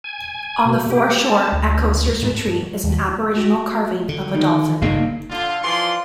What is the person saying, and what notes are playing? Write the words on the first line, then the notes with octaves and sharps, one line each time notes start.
On the foreshore at Coasters retreat is an Aboriginal carving of a Dolphin.
G#5
B2
G4
A5
D2
G#2
G2
G2
F#3
D#2
F#4 G4
D3
D#3 D#4
G1 C#3 A#3 D4 D#4 F5
D3 F4
E3 F3 F4 D5 C6